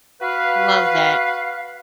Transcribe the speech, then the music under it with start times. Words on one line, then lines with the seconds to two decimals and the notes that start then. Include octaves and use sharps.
Love that.
0.21 F#4 B4 F5